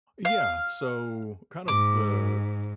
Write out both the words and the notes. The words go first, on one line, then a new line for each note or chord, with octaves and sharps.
Yeah, so, kind of the
F5
G#2 D6